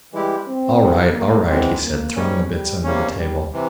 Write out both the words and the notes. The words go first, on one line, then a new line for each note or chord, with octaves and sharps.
"All right, all right," he said, throwing the bits under the table.
E3 G3 G#3 E4 G4
C4
E2 C3 E3
A#3
E2 E3 G#3 C4
A#3
G#2 G3 C#4
G3
C3 G3 A#3 C#4
G3
C3 E3